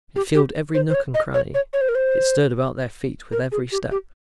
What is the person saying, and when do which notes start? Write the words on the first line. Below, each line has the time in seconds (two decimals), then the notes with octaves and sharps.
It filled every nook and cranny; it stirred about their feet with every step.
0.16 G4
0.35 G4
0.75 C5
0.90 C5
0.94 C#5
1.14 D#5
1.34 C#5
1.54 C#5
1.73 C#5
1.81 C5
1.89 A#4
1.95 C5
3.32 A#4
3.52 G#4
3.72 G4
3.91 G4